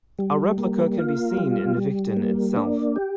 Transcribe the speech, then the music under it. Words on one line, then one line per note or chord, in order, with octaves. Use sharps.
A replica can be seen in Vichten itself.
G3
A#3
F4
G3
G3
A#3
D4
G4